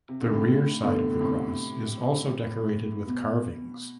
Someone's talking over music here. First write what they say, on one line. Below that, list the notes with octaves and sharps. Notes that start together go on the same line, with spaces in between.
The rear side of the cross is also decorated with carvings.
C3
D3
A2 C3
B2 D3
D3
A2 C3
B2